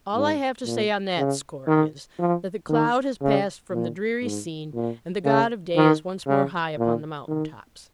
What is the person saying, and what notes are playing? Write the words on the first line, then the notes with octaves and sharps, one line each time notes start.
All I have to say on that score is, that the cloud has passed from the dreary scene, and the God of Day is once more high upon the mountain tops.
G#2
A#2
C#3
D#3
F3
D#3
C#3
A#2
G#2
A#2
C#3
D#3
C#3
A#2
D#3